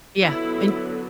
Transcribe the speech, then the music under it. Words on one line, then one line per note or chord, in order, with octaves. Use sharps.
Yeah, and
D3 F#3 B3 E4